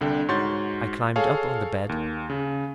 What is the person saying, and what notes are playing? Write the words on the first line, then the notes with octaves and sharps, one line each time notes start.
I climbed up on the bed.
C2 D3 G5
G#2 F#4 C#5 C6 G6 A6
G#4 A4 C#5 F5
D#2
C#3